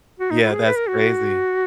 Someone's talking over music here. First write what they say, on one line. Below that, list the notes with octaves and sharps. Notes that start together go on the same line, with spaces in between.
Yeah. That's crazy.
F#4
D#4
E4
G#4
B4
A#4
F#4